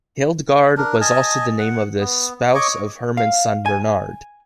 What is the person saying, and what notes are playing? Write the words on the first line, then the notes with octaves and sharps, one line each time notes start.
Hildegard was also the name of the spouse of Hermann's son Bernard.
D4 A#4
D#5 G#5 A5
F#5
B3
C#5 D#5 C#6 D6
F5
G#5